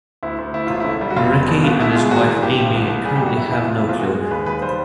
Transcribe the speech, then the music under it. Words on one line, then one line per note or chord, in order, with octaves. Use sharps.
Ricky and his wife Amy currently have no children.
D2 E4
D2
D2 E4
E1 F4
D3 E4
G3
F#4
F1 F4
G3
B2
C2 F4
B2 E4
G#3 F4
G#1 F#4
E3
G2 G4
G#1
C2
C2
G3 G#4
G4
G3 F#4
E2 E4
E2 E4
C3 F4
E4
E2
F4
G#3 F#4
G#3
D#2 B4
D#2 B4
G3 C5